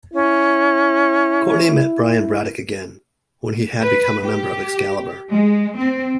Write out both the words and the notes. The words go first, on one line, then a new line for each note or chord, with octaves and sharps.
Courtney met Brian Braddock again, when he had become a member of "Excalibur".
C#4 E4
B4
G4
G#3
C4